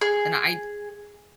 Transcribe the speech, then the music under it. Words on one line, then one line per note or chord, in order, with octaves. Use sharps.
and I'd
G#4